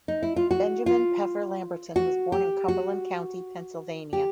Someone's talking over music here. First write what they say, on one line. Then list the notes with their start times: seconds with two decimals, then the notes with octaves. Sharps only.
Benjamin Peffer Lamberton was born in Cumberland County, Pennsylvania.
0.08 D#4
0.23 E4
0.36 F4
0.51 F#4
0.86 F4
1.96 F#4
2.32 G4
2.68 F#4
4.13 G4